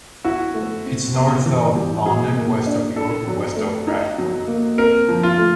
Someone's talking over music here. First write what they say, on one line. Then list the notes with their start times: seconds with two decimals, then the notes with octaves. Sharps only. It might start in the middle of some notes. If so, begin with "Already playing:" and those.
It is north of London, west of York and west of Bradford.
0.24 E4 F#4
0.54 A3
0.86 C4
1.15 B3
1.46 E3
1.76 G3
2.06 F#3 G#4
2.37 A#3
2.66 D4
2.96 D4 A4
3.27 F#3
3.57 A3
3.87 D#4
4.18 F#3
4.47 A#3
4.78 C4 A#4
5.08 F3
5.23 F4
5.39 A3